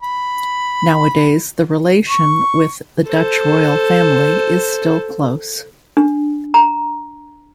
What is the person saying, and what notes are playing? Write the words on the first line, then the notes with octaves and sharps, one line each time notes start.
Nowadays, the relation with the Dutch Royal Family is still close.
B5
C#6
A4 C5
D4
A#5